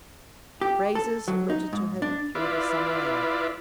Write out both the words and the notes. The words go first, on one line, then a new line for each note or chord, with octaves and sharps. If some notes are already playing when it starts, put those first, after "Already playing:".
Phrases floated to him through the summer air.
G4
A4
F#3
D#4
G#2
D4
E4 F4 B4 D5